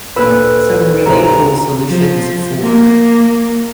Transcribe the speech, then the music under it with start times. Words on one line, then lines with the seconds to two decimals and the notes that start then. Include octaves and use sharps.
some really cool solutions for
0.16 D2 A#2 B4 E6 F#6
1.06 G#1 C3 C5 A#5
1.87 F3
2.62 A#3